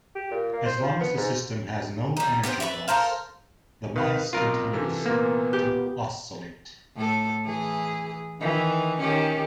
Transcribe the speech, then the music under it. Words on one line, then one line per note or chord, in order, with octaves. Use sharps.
As long as the system has no energy loss, the mass continues to oscillate.
G4
A#2
A#3
C5
F3
B3
G#2
G3 D#4
B3 G4 A4 C5
B4 C#5 D5 E5
A4 A#4 C5 F5
D#3 B4 F5 B5
B1 C4 F4 A#4
C3 E3 A4
A#2 A#3 B3
G4
A2 A4
E3 G#4
D#3 E3
D#3 C#4 G4